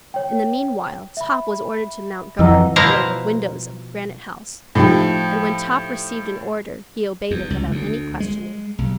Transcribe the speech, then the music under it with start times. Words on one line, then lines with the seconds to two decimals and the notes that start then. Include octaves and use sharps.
In the meanwhile Top was ordered to mount guard below the windows of Granite House, and when Top received an order he obeyed it without any questioning.
0.14 C#5 G5
1.17 E5 B5
2.39 F2 E3 D#5 F#5 A#5 E6
2.76 B2 F3 E4 F5 A#5
4.75 A2 F3 D#4 G4
7.31 E2
7.50 C#2
7.71 D2
8.20 G#3
8.78 B1